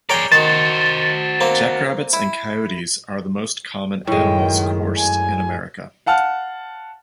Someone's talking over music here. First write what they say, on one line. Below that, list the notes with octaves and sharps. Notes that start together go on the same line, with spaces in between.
Jackrabbits and coyotes are the most common animals coursed in America.
G#4 A#4 C#5 D5 G5
D#3 F#4 C5 A6
A#3 C4
E4
F#2 A2 D#3 G#3 G5
F#2 G#5
F5 F#5 A5 F6